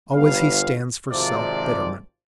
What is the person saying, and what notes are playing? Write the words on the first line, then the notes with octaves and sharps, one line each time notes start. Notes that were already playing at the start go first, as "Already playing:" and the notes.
Always he stands for self-betterment.
G1 B4 F5
G#1 C3 F3 D5